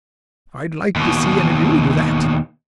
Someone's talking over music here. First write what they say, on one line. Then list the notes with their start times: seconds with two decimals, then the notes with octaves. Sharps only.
I'd like to see any of you do that!
0.96 D#2 B2